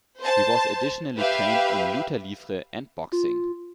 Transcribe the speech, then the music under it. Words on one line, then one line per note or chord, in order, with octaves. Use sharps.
He was additionally trained in Luta Livre and Boxing.
C5 A5
G4 B4 E5 F5
F4